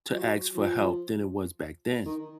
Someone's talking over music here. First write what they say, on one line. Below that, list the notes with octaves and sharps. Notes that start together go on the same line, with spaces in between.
to ask for help than it was back then?
F3
F#3
F3
D#3